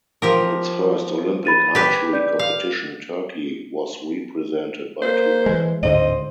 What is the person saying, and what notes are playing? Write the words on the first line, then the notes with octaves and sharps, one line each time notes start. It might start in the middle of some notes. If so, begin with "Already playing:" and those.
In its first Olympic archery competition, Turkey was represented by two men.
F3 G4 A#4
B5 A6 D#7
G4 B4
D5 G6
F5
A#3 C5
E3 G#3
D1 G#2 D3 C5 D#5